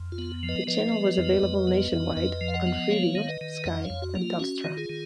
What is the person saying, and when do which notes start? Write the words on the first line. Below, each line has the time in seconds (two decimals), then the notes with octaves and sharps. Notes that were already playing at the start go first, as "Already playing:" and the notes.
The channel was available nationwide, on Freeview, Sky and Telstra.
Already playing: F2
0.12 F4
0.18 B3
0.43 F3
0.49 B4 D#5
0.67 F3 B4 D#5
0.92 B3
1.18 F2
1.42 F2
1.67 B3
1.92 F2
2.16 F2 B4 D#5
2.41 F3
2.48 F5
2.54 D#5 F#5
2.67 B3
2.90 A#3 C#5 F5
3.15 D#3
3.28 B4 D#5
3.41 D#3
3.65 F2 D#5 F#5
3.84 C#5 F5
3.90 F2
4.02 F#4
4.15 A#3
4.21 F4
4.40 C#4 F#4
4.64 D#3
4.77 F4 G#4
4.89 D#3